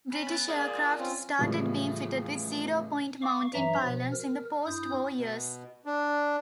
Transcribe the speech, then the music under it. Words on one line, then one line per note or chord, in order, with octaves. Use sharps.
British aircraft started being fitted with "Zero-Point" mounting pylons in the post-war years.
C#4 B5
B3
G#4 A#4 D5
C4 C#4 F4
C#2 A2 C#3 E3 F3 G3
F5 C#6 D6
G2 E3 F#3 E5 A#5
B2 F3
A#4
G2 E4 D#6 G6
B2
D4